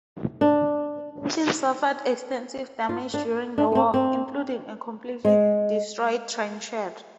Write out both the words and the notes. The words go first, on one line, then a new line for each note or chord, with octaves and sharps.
The station suffered extensive damage during the war, including a completely destroyed trainshed.
D4
F4
D4
D4
B3
C4
C4
G#3